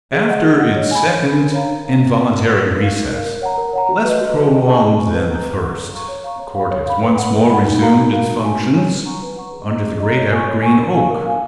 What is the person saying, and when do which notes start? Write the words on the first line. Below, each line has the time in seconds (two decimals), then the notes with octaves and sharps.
After its second involuntary recess--less prolonged than the first--the Court has once more resumed its functions under the great evergreen oak.
0.13 G#4
0.28 D#5 F#5
0.44 G#4
0.60 D#5 F#5
0.76 C#5
0.91 G#5 B5
1.07 C#5
1.23 G#5 B5
1.39 A#4
1.53 C#5 F5 A#5
1.70 A#4
1.85 C#5 F5 A#5
2.01 F#4
2.17 B4 F#5 C#6
2.32 F#4
2.48 B4 F#5 C#6
2.63 D#4
2.80 A#4 F5
2.95 D#4
3.10 A#4 F5
3.26 A#4
3.42 C#5 F#5 A#5
3.57 A#4
3.73 C#5 F#5 A#5
3.89 F#4
4.04 B4
4.09 D#5
4.20 F#4
4.36 B4 D#5
4.52 G#4
4.67 D#5 G#5 C#6
4.83 G#4
4.98 D#5 G#5 C#6
5.14 B4
5.30 F#5 A#5 C#6
5.46 B4
5.61 F#5 A#5 C#6
5.77 C#5
5.93 F5 A#5 C#6
6.08 C#5
6.24 F5 A#5 C#6
6.39 C#5
6.55 F5 B5
6.71 C#5
6.87 F5 B5
7.03 B4
7.18 F#5 B5
7.34 B4
7.50 F#5 B5
7.65 D#4
7.81 F#4 A#4 F5 A#5
7.97 D#4
8.12 F#4 A#4 F5 A#5
8.27 D#4
8.44 F#4 C#5 G#5
8.58 D#4
8.75 F#4 C#5 G#5
8.90 B4
9.06 F#5 A#5 C#6
9.22 B4
9.37 F#5 A#5 C#6
9.52 G#4
9.69 D#5 A#5
9.84 G#4
10.00 D#5 A#5
10.16 C#5
10.31 G#5 C#6
10.47 C#5
10.62 G#5 C#6
10.78 A#4
10.94 F5 G#5
11.10 A#4
11.25 F5 G#5